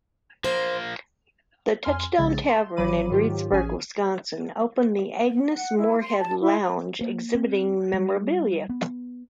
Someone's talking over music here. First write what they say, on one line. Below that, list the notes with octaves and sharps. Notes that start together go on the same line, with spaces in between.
The Touchdown Tavern in Reedsburg, Wisconsin, opened the Agnes Moorehead Lounge, exhibiting memorabilia.
F3 A#3 C5
F2 G#5 C6 F6
A#1 C#3 G#3 A6
C6
G#1 E3 F#3 B5 D6 D#7
G#2 D#3 F#3 F4 G4
A1 C#4 G#4 G#5
F#5
E4
C6
A5
E4
A#3
C4
G3
B3